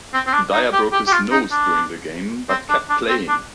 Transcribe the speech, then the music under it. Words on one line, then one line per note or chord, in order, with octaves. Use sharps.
Dyer broke his nose during the game but kept playing.
C4
C4
D4
D#4
G4
G4
G4
F4
D#4
D4
C4
D4
D4
C4
D4